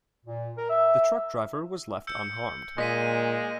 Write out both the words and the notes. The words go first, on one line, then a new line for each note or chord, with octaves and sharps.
The truck driver was left unharmed.
A#2
A#4
E5
E6 G6 C#7
A#2 G#3 D#5 A#6 B6 D#7